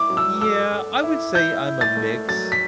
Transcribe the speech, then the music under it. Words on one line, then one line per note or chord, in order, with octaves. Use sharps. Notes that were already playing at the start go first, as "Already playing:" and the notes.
Yeah, I would say I'm a mix.
Already playing: E4 D6
F#3
E6
A4 E6
A4
E4
E4 G6
E4
A6
A3
F#3 A6
B6